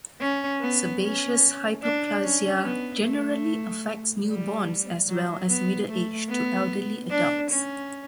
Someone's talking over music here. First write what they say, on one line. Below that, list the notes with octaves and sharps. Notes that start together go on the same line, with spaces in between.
Sebaceous hyperplasia generally affects newborns as well as middle-aged to elderly adults.
C#4
B3
C#4
D4
C#4
B3
A3
G3
F#3
B3
A3
B3
D4
C#4